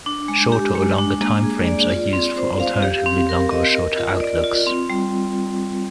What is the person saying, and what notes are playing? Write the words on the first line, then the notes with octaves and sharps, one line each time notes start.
Shorter or longer timeframes are used for alternately shorter or longer outlooks.
D4
G#3
G4
G#3
D4
A#3
G#4
D5
F4
C4
C5
F5
G4
C4
A#4
D#5
A#4
F4
D5
F4
C4
G3